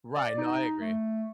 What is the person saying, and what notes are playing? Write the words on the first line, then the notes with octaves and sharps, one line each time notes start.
Right, no I agree.
D5
D#4
A3